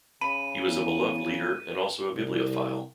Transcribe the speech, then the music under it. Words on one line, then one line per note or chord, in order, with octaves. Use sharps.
He was a beloved leader and also a bibliophile.
C#3 B5 D#7
E2
C2